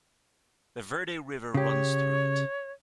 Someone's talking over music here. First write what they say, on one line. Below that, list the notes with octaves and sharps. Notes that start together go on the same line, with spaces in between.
The Verde River runs through it.
C#3 G4 C#5